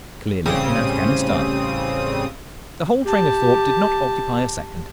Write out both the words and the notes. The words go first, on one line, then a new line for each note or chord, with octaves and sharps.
Clearly in Afghanistan.' The whole train of thought did not occupy a second.
A1 C#3 G3 C4 D#6
G4 A5